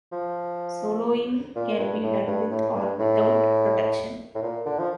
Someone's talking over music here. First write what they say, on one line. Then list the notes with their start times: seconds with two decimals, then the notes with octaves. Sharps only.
Soloing can be done with or without protection.
0.12 F3
1.55 A#2
1.79 G2
2.03 A2
2.27 G2
2.51 A2
2.74 G2
2.99 A2
4.35 A2
4.42 A#2
4.65 D3
4.79 F3